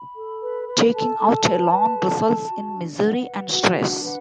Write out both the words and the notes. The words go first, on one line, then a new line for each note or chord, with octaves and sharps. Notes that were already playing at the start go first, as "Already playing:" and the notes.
Taking out a loan results in misery and stress.
Already playing: B5
A4
B4
B4
A4 A5
A4
B4
B4
A4
A4
F#4
D4
B4 F#5
B4
F#4 F#5
D4
B4 F#5